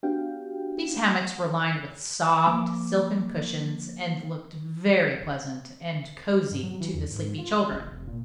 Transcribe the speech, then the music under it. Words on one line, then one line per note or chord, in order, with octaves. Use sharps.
These hammocks were lined with soft, silken cushions and looked very pleasant and cozy to the sleepy children.
B3 D4 F#4 G4 F5 G5
F3 A#3 D6
G2
F#3
E3
E2
G#2
F4
G#3
F#1
F1
A#2